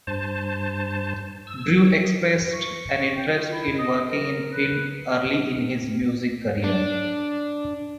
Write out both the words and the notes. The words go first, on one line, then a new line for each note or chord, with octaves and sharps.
Drew expressed an interest in working in film early in his music career.
G2 C5 A5
E6
C#6
G5
F4
E4
D#5
A#4
B4
D4